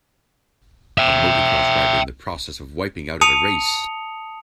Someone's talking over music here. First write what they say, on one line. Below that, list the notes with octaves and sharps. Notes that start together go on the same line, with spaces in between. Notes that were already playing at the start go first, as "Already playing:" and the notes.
A motocross rider in the process of wiping out at a race.
E5 G5
A5 D#6 C#7 F7